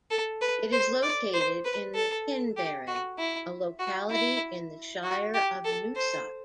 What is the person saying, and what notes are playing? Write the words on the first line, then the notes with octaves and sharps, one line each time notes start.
It is located in the Pinbarren, a locality in the Shire of Noosa.
A4
B4
C5
D5
C5
B4
A4
G4
F#4
E4
F#4
E4
F#4
G4
A4
C5